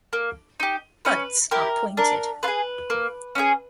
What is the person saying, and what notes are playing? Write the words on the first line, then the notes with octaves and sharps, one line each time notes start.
Buds are pointed.
A#3
D#4 G4
C#4 B4
E4 G4 A#4
D4 A#4
F4 G#4 B4
A#3
C#4 E4 G#4